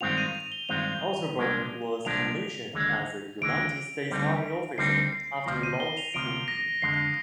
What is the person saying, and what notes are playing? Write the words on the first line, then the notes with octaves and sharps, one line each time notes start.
Altenburg was commissioned as a United States Army officer after law school.
G2 D#3 G#3 C4 F4 F7
D#7
D#7
G7
G2 D#3 G#3 C4 F4 F7
C2 A#2 F3 G#3 D4
C2 A#2 F3 G#3 D4 F7
D#2 D3 G#3
D#2 D3 G#3 D7
D2 D3 G3 C4 D#4
D2 D3 G3 C4 D#4 C7
C7
D2 C3 F3 A#6
D#7
G7
F7
D2 C3 F3 D7
A#6
F2 D3 G#3 C7